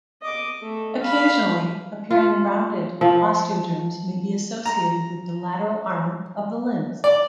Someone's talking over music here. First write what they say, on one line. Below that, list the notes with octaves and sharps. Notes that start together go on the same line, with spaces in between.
Occasionally appearing rounded osteoderms may be associated with the lateral armor of the limbs.
D#5 D6
A3
F5 B5
F4
F3
A#5
D5